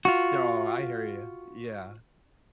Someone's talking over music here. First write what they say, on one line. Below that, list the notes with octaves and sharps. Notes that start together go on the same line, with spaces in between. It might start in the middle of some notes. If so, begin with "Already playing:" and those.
Oh, I hear you, yeah.
F4 F#4